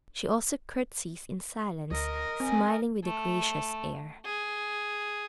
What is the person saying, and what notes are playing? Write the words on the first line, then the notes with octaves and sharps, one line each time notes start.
She also curtsies in silence, smiling with a gracious air.
D2 A#4 D#5
C4 G#5
A3
G#4